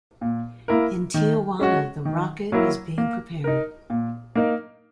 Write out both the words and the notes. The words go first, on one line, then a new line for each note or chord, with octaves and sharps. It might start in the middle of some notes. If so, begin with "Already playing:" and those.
In Tijuana, the rocket is being prepared.
A#2
A#3 E4 A#4
D#3
G#3 C#4 F#4
D#3
F#3 A#3 E4 A#4
A#3
D#4 A#4
A#2
A#3 D#4 A#4